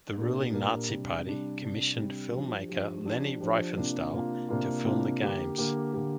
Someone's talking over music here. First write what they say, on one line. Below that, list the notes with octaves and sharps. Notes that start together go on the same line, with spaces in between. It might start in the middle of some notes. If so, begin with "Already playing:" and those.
The ruling Nazi Party commissioned film-maker Leni Riefenstahl to film the games.
A#2 A#3 D4 G4
A#2 A#3 D4 G4
C3 G3 D4
C3 G3 D4
C3 G3 D4
C3 G3 D4
F3 D4 G4
F3 D4 G4
F3 D4 G4
F3 D4 G4
C3 A#3 D4 F4
C3 A#3 D4 F4
C3 A#3 D4 F4
C3 A#3 D4 F4
D3 A#3 G4
D3 A#3 G4
D3 A#3 G4